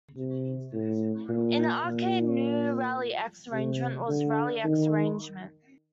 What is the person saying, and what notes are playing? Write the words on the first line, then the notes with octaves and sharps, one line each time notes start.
In the arcade, "New Rally-X Arrangement" was "Rally-X Arrangement".
C3
A2
A#2
A#2
C3
D3
D#3